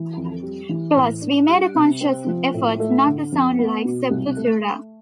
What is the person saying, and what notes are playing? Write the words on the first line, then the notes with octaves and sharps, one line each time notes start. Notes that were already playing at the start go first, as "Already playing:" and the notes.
Plus, we made a conscious effort not to sound like Sepultura.
Already playing: E3
F2
G3
E3
A2
D4
G3
C3
C4
F3
A2
A3
D3
F2
B3
B2
C2
A3